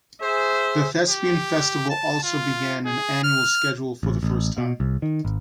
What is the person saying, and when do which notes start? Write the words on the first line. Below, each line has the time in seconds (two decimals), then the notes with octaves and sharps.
The Thespian Festival also began an annual schedule for the first time.
0.21 G#4 C5 E5
1.10 G4
1.90 A5
2.24 F4
2.86 G#4
3.24 F6
4.03 A1
4.23 A1
4.58 B2
4.80 C2
5.02 D#3
5.25 G#1